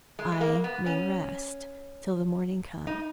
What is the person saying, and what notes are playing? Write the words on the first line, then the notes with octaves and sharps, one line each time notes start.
I may rest till the morning comes.
G#3
G#3
A#3
B3
C#4
D#4